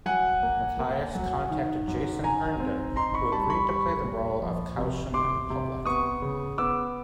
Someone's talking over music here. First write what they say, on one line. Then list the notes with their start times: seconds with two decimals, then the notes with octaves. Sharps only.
Matias contacted Jason Herndon who agreed to play the role of Caushun in public.
0.06 F#3 F#5 G#5
0.43 A#3
0.79 A#3
1.15 F#3
1.51 D#3
1.88 F#2
2.23 D#3 G#5 A#5
2.60 C4
2.96 D#4 A#5 C6
3.14 B5 C#6
3.32 G3 A5 B5
3.50 B5 C#6
3.68 G3 B5 C#6
4.04 A#2
4.42 F3
4.77 C3
5.14 C3 C6 D6
5.50 C3
5.86 B3 C#6 D#6
6.22 C#3
6.58 B3 D6 E6